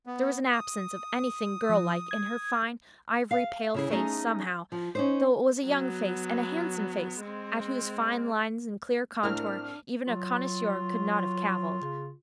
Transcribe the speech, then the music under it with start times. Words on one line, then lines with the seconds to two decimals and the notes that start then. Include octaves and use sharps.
There was an absence of anything girl-like in her fine, ivory-pale face, somehow, though it was a young face and a handsome face, at whose fine lines and clear contour even a connoisseur could not have caviled.
0.06 B3
0.52 D#6
1.69 F3
2.11 G#6
3.31 F5
3.74 C#3 E4 G#4
3.90 A3 B3 C#4 D#4 G#4
4.72 F3
4.95 C#4 D#4 C5
5.66 F#3 B3
7.21 G#3 C4
9.23 A2 C4 D4 A#4 E5 F6
10.07 F#3 F4
11.81 C#3